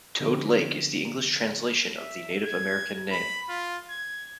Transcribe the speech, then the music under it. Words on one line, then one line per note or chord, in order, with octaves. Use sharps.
Toad Lake is the English translation of the Native American name.
D3 F3 B3 G4
E5
G#6
B5
F4
G#6